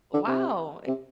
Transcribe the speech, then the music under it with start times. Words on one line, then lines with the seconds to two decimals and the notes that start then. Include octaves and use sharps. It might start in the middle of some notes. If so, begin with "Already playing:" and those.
Wow, it
0.14 D3
0.27 C3
0.87 C3